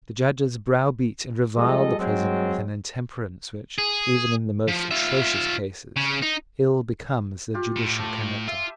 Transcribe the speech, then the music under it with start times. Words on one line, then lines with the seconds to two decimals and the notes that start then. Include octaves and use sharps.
The Judges browbeat and reviled the prisoner with an intemperance which, even in the most atrocious cases, ill becomes the judicial character.
1.56 F3 G3 G#3 A4 D#5
1.99 F#3 G#3 C4
3.78 G#4
4.68 F3
4.91 F4 E5
5.96 C#3
6.22 D#4
7.54 F4 G4
7.77 A2
7.99 A5
8.47 F4 E5